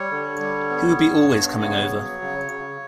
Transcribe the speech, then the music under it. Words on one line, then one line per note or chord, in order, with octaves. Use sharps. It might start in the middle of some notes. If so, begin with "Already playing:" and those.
He would be always coming over.
Already playing: G3 C#5
D3
G3
B3
G2
B3
C#3 C#5
F#3
C#3
C#3